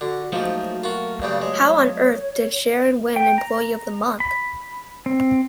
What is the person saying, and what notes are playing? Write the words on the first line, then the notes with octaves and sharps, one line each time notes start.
How on earth did Sharon win employee of the month?
D3 F#4
G#2 F3 F#3 A3 A#3 F#4
F4 F#4 A#4
G2 C#3 G3 D5
G#3 C#5
G5
A#5
B5
C4